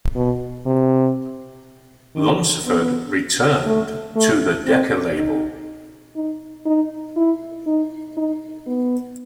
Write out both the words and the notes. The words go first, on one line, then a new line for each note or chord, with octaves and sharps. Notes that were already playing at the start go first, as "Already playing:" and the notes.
Lunceford returned to the Decca label.
B2
C3
D#3
B3
A3
A3
C4
D#4
D#4
D#4
E4
D#4
D#4
B3